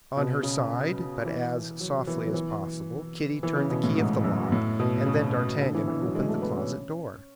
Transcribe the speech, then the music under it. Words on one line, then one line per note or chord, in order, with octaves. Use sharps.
On her side, but as softly as possible, Kitty turned the key of the lock, and then d'Artagnan opened the closet door.
B2
C#3
E3
F#3
E3
F#3
E3
E3
C#3
B2
A2
G#2
F#2
A2
B2
C#3
D3
E3
E3
F#3
G#3
A3
B3
C#4